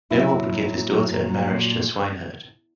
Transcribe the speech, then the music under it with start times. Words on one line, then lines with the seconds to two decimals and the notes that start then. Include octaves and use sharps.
No one would give his daughter in marriage to a swineherd.
0.10 F#3 E4
0.30 A#2
0.49 F#3
0.70 A#2
0.89 F#3
1.08 A#2
1.29 F#3
1.47 A#2